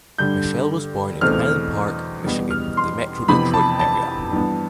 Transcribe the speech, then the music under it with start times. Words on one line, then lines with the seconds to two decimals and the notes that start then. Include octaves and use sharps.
Mitchell was born in Highland Park, Michigan, in the Metro Detroit area.
0.18 G2 D3 G3 G6
1.21 E2 B2 A3 C4 F6
2.25 E2 B2 G3 B3
2.51 F6
2.77 C6
3.28 F2 C3 E3 B3 B5
3.54 A5
3.79 A5
4.32 G2 E3 B3